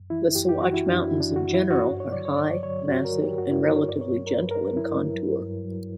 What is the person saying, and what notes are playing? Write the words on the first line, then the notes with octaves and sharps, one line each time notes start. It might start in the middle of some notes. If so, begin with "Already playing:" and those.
The Sawatch mountains in general are high, massive, and relatively gentle in contour.
Already playing: F#2
E3 E4
F#2 G4
G4
E3 F#4
E4
F#2 D4
E4
E3
D4
F#2 F#4
E4
E3
F#4
G2
C#5
D3 F#3 D5
C#5
G2 D5
D3 F#3 C#5
G2 F#4
A#4
D3 F#3
G4
G2 F#4
E4
D3 F#3 A#4
C#5
G2 D5
C#5
F#3
A#4
G2 B4
A#4
F#3
E4
G2
F#3
G2
F#3